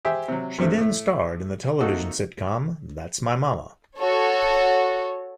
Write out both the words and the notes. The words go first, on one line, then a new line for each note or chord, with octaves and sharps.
She then starred in the television sitcom "That's My Mama".
G4 G#4 C5 E5
C3 F#3
G2 C3 F3 A3
A2 A3
C3 A#3 D#4 F#4 A4
F#4 A4 C#5